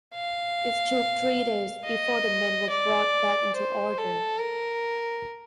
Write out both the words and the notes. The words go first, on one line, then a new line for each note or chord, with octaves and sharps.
It took three days before the men were brought back into order.
F5
D#5
D5
C5
A4
A#4